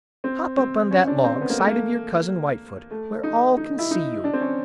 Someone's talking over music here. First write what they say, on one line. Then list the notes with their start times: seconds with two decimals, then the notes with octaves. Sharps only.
"Hop up on that log side of your Cousin Whitefoot, where all can see you."
0.24 C4
0.58 C4
0.91 C#4
1.07 D4
1.24 C4
1.41 B3
1.49 A#3
1.58 A3
1.67 A#3
2.91 A3
3.23 D#4
3.57 D#4
3.79 E4
3.91 D#4
4.24 D4
4.33 C4
4.41 C#4